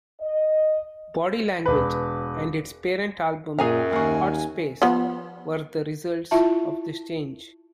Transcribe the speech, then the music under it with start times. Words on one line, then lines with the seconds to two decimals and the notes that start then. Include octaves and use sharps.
"Body Language" and its parent album "Hot Space" were the results of this change.
0.21 D#5
1.66 E1 B4
3.59 F#2 A#2 G#4 G#5 A#5
3.93 D#2 A#3 F#4 G#5
4.82 F3 B3
6.31 E4 F4 E5 A5